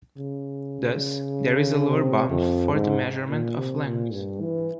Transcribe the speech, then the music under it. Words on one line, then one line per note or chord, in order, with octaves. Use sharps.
Thus there is a lower bound for the measurement of length.
C#3
C3
F2
G#2
A#2
C3
A#2
G2
E3